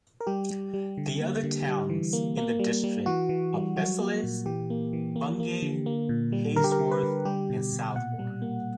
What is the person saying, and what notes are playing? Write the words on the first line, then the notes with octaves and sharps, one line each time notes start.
The other towns in the district are Beccles, Bungay, Halesworth and Southwold.
A#4
G3 G4
G3
G3
D3
A#3
D3
G3
E3
A#3
A#3
G3
G3
E3 F#4
E3
G3
F#3 F#4
A#3
A#2
E3 G4
A#3
E3
A#3
A#3
D3
A#3
A#2
G3
D3 A#4
G4
A#4
D3
B4
D3
G3 G4
B2
B2
A#2 F#5
G3
A#3